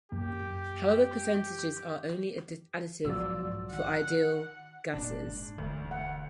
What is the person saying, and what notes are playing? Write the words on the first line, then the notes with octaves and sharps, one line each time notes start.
However, percentages are only additive for ideal gases.
F#2 A#3 G4
B1 G#2 F3 F#3 F#4 D5 E6
D#3 F#5
F#1 A#2 D4
G#2
E1 D2
F#5